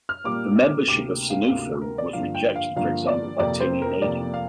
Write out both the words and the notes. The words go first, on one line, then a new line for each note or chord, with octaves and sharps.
The membership of Senufo was rejected for example by Tony Naden.
F6
A#2 G3 A#3 D6
D2 C3 A#3 D6
F5
D2 C3 A#3 F5
A#4
D5
G2 D3 F3 A#3 F5
G5
F5
G2 D3 F3 A#3 F5
D5
F2 C3 A#3 D5
C5
A#4
F2 C3 A#3 D5
F5